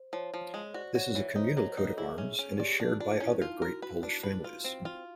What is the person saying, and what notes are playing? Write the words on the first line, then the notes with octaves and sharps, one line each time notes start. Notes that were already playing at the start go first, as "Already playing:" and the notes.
This is a communal coat-of-arms and is shared by other Great Polish Families.
Already playing: C5
F3 C#5
F3
G#3
F#4 C5 D5
F#4 C#5
E3 C#5
D#4 C5
F#3
D#4
A4
E4 G#4
C#4
C#4
G4 D5
D4
D4 F4
C#4 E4
D#4 F4
F#4 A#4
F#4 B4
D4
B4
F4
C4
F4